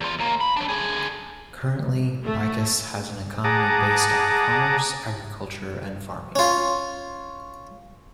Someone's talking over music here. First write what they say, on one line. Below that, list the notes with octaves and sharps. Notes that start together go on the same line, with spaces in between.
Currently, Bicas has an economy based on commerce, agriculture and farming.
E2 F4
D#2 A#3
B5
F#3 D4
D3 G#4
A3
G#4 F#5 A5 A#5 D6 D#6
C#4 F4